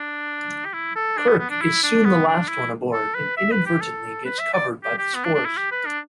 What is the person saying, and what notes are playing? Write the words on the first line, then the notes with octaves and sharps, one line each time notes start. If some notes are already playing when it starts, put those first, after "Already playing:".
Kirk is soon the last one aboard, and inadvertently gets covered by the spores.
Already playing: D4
G4
E4
A4
D4
B3
B3
D4
E4
D4
B3
D4
E4
A4
B4
E5
B4
G4
A4
B4
E5
D5
G4
G4
B3
D4
D4
E4
G4
B4
D4